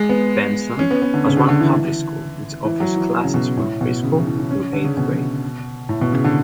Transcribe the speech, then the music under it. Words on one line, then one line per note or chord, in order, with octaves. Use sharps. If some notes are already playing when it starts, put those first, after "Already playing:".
Benson has one public school, which offers classes from pre-school through eighth grade.
Already playing: G#3
B3
C#4
B3
B3
D3
C#3
D3
D3
E3
E3
F#3
E3
C#3
B2
A2
B2
C#3
E3
E3
C#4
D3
C#3
B2
A2
B2
C#3
D3